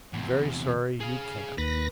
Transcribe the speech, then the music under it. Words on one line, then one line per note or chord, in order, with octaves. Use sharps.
"I am very sorry you can't."
E2 C3
G#4 F5
D#2 B4 A#6